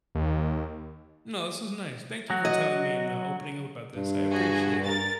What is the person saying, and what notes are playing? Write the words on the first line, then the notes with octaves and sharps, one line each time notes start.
No, this was nice. Thank you for telling me and, uh, opening up about this. I appreciate it.
D#2
F#3 F#4
D#5
G2
F#4 G#4
A#4 A6